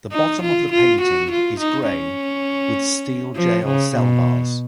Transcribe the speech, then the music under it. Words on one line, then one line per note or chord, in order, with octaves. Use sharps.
The bottom of the painting is gray with steel jail cell bars.
D#4
F4
F4
F#4
F4
D#4
C#4
F3
C#3
B2